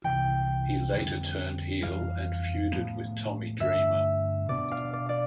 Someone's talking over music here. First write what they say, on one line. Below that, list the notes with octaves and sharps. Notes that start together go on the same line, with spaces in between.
He later turned heel and feuded with Tommy Dreamer.
C2 C3 E3 G5
F2 D3 G3
F2 E3 G3 F5
A2 F3 B3
G2 D3 A3 D4 E5
B2 B3 D4 D5
F5
D5
D5